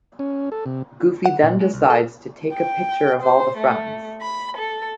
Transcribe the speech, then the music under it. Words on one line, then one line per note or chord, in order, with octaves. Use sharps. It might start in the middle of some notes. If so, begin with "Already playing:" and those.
Goofy then decides to take a picture of all the friends.
C#4
A4
C3
F#5
A#2
G#3
C2
A4
G5
C5
A3
B5
A4